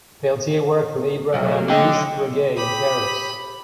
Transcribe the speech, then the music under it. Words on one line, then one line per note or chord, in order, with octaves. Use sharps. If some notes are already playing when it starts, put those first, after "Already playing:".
Peltier worked with Abraham Louis Breguet in Paris.
B1 F#3 A3 A#3
D3 D#5 G5
G4 B5 D#6